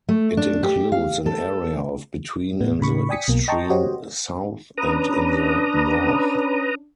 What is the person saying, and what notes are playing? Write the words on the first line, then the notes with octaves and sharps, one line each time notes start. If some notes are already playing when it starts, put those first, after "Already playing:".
It includes an area of between in the extreme south and in the north.
A3
D4
G4
F5
A4
A2 B3
A2 C#3 B5 C#6
D5 G5 G#5 D#6 B6 C#7
B1 B2 A#3
D#5 G5 A5 A#5 C6 C#6
F#4 G4 C5 C#5 D#5
C#4 D4 B4 A#5 D#6
C#4